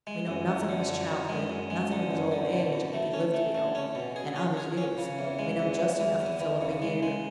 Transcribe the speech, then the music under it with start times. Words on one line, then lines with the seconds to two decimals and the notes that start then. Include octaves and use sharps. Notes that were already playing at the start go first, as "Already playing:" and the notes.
We know nothing of his childhood, nothing of his old age, if he lived to be old, and of his youth, we know just enough to fill up a year.
0.07 G#3
0.27 F#2
0.48 F#2
0.69 D3
0.89 F#2
1.09 F#2
1.29 G#3
1.50 F#2
1.70 G#3
1.92 D3
2.11 F#2
2.32 D3
2.53 B2
2.73 B2
2.93 A3
3.14 C#4
3.34 A3
3.55 A3
3.75 C#4
3.95 B2
4.16 G#4
4.36 C#4
4.57 G#4
4.77 C#4
4.98 C#3
5.19 E2
5.39 G#3
5.59 E2
5.79 E2
5.99 E3
6.21 E2
6.41 E3
6.61 C#3
6.82 G#3
7.03 G#3